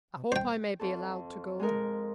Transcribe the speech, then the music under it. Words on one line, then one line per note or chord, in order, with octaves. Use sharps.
'I hope I may be allowed to go?'
C5 G5
F2 A4
G#3 D#4 A#4